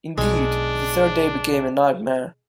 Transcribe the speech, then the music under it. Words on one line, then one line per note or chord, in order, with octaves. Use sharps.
Indeed, the third day became a nightmare.
B1 G#3 D4